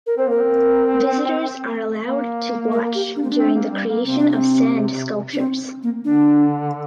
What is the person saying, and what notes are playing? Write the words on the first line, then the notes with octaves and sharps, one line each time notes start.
Visitors are allowed to watch during the creation of sand sculptures.
A#4
C4 C5
A#3 A#4
C4
A#3
A#4
G4
D4
C4
D4
C4
A#3
G3
A#3
C3 C4
D4
C4
D4
C4
A#3
D3 D4